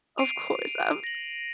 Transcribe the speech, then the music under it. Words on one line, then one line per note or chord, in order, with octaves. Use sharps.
of course, um
C7 D7 D#7 F7
A#6 F#7